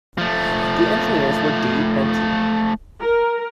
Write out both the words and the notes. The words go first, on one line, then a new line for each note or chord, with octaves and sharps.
The engineers were D. and T.
F3 A3
A#4